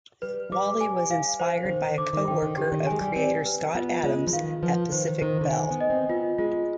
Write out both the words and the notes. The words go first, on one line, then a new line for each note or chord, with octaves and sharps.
Wally was inspired by a coworker of creator Scott Adams at Pacific Bell.
G3 B4
G3 D6
G#5
F5
C5
D3
D#3 C5
D3 D6
D#3
D3 G5
D#3
D3 G4
D#3
G#3 G#5
G3
C4 D5
B4
B3 F4
G#3 F4
F3
D#3 F5
F3 B4
D#3 C5
D#3 C5
D3
D#3 G#5
B3
D#5
C4
B3 F4
G#3 F4